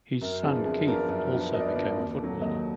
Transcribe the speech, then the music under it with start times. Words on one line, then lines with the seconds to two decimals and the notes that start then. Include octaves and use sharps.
His son Keith also became a footballer.
0.21 F#2 A#4
0.43 F3 B3 D4 G#4
0.65 F#2 G#4
0.87 F3 B3 D4 A#4
1.09 F#2
1.31 F3 B3 D4
1.53 F#2 D#5
1.60 D5
1.67 B4
1.75 F3 B3 D4 D5
1.97 D#2
2.20 D3 F#3
2.41 D#2 D#5